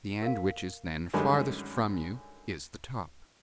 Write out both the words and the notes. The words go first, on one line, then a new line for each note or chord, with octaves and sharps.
The end which is then farthest from you is the top.
A#4 F5
F#2 D3 D#3 G3 G#3 C#4